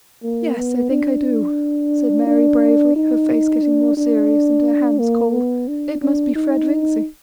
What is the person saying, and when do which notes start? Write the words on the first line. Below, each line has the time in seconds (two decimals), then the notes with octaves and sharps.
"Yes, I think I do," said Mary, bravely, her face getting more serious, and her hands cold; "it must be Fred Vincy."
0.23 A#3
0.57 B3
0.91 D4
2.27 D4
2.96 D#4
3.63 D4
3.97 D4
4.99 A#3
5.33 B3
5.68 D4
6.01 D4
6.36 D#4